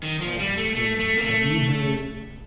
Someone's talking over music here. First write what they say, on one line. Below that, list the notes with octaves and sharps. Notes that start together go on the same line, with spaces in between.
Oh my goodness, have you heard
D#3
F3
G3
A3
A3
A3
A#3
A3